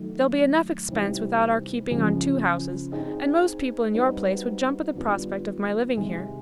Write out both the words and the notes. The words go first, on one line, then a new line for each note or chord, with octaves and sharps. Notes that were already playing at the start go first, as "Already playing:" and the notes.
There'll be enough expense without our keeping on two houses; and most people in your place would jump at the prospect of my living here.
Already playing: D#3 F#3 A3
C3 E3 G3 C4 D#4
C#3 F3 G#3
C4 D#4 G#4 C5 D#5
G3 C4 D#4 F#4 B4
D#3 G3 B3 D4 F4
C3 D#3 G#3